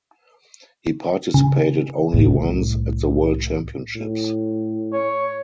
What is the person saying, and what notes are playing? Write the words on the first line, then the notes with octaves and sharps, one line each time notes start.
He participated only once at the World Championships.
C#3
C2 A2
A2
C#5